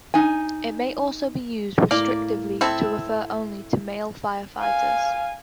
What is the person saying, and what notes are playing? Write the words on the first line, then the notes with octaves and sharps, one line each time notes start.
It may also be used restrictively to refer only to male firefighters.
D#4 G#5
A2 A#3 D5
C4 E4 A4
F5 G#5